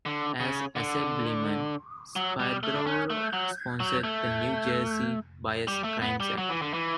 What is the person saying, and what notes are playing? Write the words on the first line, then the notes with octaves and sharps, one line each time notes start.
As Assemblyman, Spadoro sponsored the New Jersey Bias Crimes Act.
D3
C#3
D3
F#3
G3
A3
D4
C#4
A3
F#3
F#3
A3
G3
A3
B3
G3
F#3
E3
D3
E3